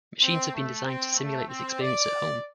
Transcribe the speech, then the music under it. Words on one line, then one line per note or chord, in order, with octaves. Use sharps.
Machines have been designed to simulate this experience at home.
C4
A3
C4
A3
C4
D5